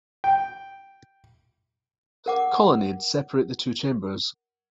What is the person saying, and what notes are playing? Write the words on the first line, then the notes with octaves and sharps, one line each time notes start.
Colonnades separate the two chambers.
G5
A#4 F#5 D6